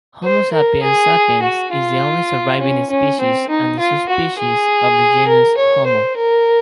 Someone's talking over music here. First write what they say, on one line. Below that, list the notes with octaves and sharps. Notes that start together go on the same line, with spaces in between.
"Homo sapiens sapiens" is the only surviving species and subspecies of the genus "Homo".
C5
A#4
G#4
F#4
F4
C#4
C#4
C4
D#4
F4
F#4
G#4
A#4
C#5
C5
A#4